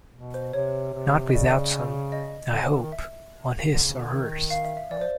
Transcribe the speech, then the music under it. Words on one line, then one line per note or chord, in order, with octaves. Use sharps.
Not without some, I hope, on his or hers.
B2
C5
C3 C#5
C3
D#5
C#3 D5
D3
C#3
D#5
D3
B2
D3
D#3
E5
D3
C#3
D3
D#3
F5
E5
E5
E3 D5
F3
C5